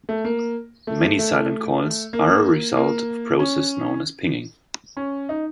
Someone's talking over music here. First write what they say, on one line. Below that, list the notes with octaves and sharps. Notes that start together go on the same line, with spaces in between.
Many silent calls are a result of process known as pinging.
A3
A#3
A3
A3
A#3
A#3
C#4
C#4
D#4